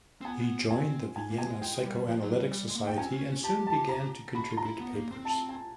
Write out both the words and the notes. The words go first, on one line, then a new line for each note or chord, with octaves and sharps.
He joined the Vienna Psychoanalytic Society and soon began to contribute papers.
C4
B3 G#5
C4 G#5
G#5
A#3
G#5
G#3
G#3 G5
G#3
G3
F3
F#3
G3
G3
G#3
A#3
A3 G5
C#4 G#5
C4
C#4
G4 A5
A5
A#5
F#4 B5
F4
A#5
E4
B3
A#3
C4
A5
G#5